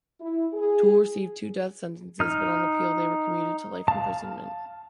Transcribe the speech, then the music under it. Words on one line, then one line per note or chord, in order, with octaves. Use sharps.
Toole received two death sentences, but on appeal they were commuted to life imprisonment.
E4
G#4
D#4 F6
F5 A5